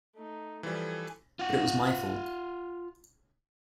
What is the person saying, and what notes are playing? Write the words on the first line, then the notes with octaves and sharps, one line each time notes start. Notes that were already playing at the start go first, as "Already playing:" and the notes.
But it was my fault.
A3 D#4
E3 F3 G3 A4 G#5
F4 F#5